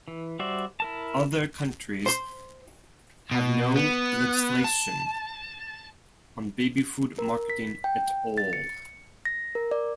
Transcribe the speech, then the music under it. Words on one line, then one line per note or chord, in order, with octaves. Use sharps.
Other countries have no legislation on baby food marketing at all.
E3
G3 F#4 C5 D5 E5
E4 A#4 A5
C5 C6
B2
B3
A5
A#4
B6
G5
A6
C#7
A#6
A#4
D5